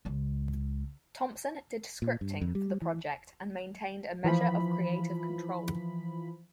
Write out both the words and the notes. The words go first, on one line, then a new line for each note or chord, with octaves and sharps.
Thompson did scripting for the project and maintained a measure of creative control.
C#2 G#3
A#2
G2
F2
G3
E3
E3 F3 B5